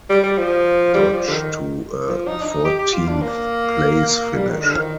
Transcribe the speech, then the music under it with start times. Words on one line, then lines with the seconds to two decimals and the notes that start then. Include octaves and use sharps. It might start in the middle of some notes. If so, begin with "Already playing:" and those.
Dodge to a fourteenth-place finish.
0.09 G3
0.23 G3
0.38 F3
0.94 G3
1.12 F3
1.27 D3
1.32 D#3
2.08 F3
2.27 D#4
2.41 D4
2.45 D#4
2.64 G4
2.78 G4
2.93 F4
3.08 D4
3.22 A#3
4.35 G3
4.50 D#3
4.64 D3
4.74 F3
4.78 D#3